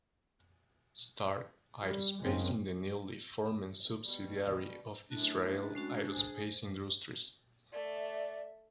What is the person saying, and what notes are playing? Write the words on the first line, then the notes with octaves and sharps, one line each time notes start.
Stark Aerospace is the newly formed subsidiary of Israel Aerospace Industries.
G3
F#1 G#3 A#3 C4 C#4
B2 G3
F#2 A2 D4
G#3 C#4 F#4
G#4 C5
A3 D5 E5